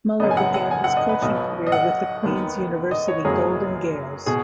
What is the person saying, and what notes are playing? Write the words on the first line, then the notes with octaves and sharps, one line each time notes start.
Muller began his coaching career with the Queen's University Golden Gaels.
F#1 F#2 C#3 B3 D#5
G#5
F#5
F#5
G#5
F#5
D#5
B4
B1 B2 B3 D#5
D#5
F#5
D#2 D#3 B3
D#5
C#5
F#1 F#2 F#3 B3 G#4
B2 G#4